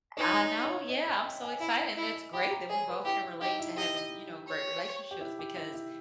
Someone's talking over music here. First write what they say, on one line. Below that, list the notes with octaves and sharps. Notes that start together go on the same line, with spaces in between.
I know, yeah, I'm so excited, and that's great that we both can relate to having, you know, great relationships because
D#4 C#5
D#5
C#5
D#5
E5
G5
G#5
E4 E5
D#5
E4
E5
G4 B5
A#5
G#4 C#5
B4
E4 G4
E4
D#4 G4
E4
G4 D#5
C#5
G4
E4
G4
E4
E4